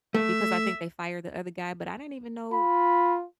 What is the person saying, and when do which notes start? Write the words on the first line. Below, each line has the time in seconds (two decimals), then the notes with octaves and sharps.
because I think they fired the other guy, but I didn't even know
0.15 A3 E5
2.52 F4 B5